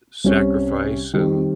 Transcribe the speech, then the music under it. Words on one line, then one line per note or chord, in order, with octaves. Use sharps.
sacrifice and
C2 C3 G3 C#4
D#3 G3 C4 G4